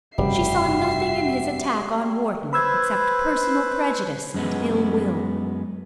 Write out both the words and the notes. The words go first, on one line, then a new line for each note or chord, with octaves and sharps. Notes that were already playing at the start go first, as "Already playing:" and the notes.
She saw nothing in his attack on Wharton, except personal prejudice and ill-will.
F1 G2 C#3 G3 F#4 E5 C7
B4 C5 B5 E6 G#6
F#2 G#3 B3